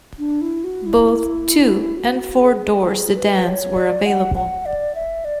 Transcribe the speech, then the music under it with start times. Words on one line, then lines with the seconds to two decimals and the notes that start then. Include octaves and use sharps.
Both two- and four-door sedans were available.
0.19 D4
0.41 E4
0.64 F#4
0.86 E4
1.98 F#4
2.42 G#4
2.86 G#4
3.17 B4
3.46 C#5
3.76 D5
4.06 F#5
4.35 F#5
4.66 D5
4.95 E5
5.25 D5